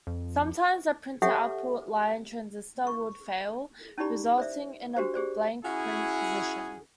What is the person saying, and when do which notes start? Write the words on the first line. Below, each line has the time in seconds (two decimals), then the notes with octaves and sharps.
Sometimes a printer output line transistor would fail, resulting in a blank print position.
0.07 F2
1.22 G4 A4 C#5 E5 F#5 G#5
2.87 C#6
3.98 C#4 D#4 E4 G4 D5 B5
4.38 C5 D5 E5
4.97 D4 F#4 G4 C5
5.14 G4 G#4 C5 D5
5.65 C#4 E4 F#4 G#4